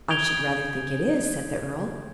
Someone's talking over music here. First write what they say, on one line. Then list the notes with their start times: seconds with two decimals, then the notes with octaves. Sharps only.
"I should rather think it is," said the earl.
0.10 D#6 G6 G#6 D7 F7 G7